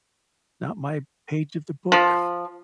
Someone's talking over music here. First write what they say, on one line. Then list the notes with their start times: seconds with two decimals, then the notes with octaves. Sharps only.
not my page of the book.
1.92 F3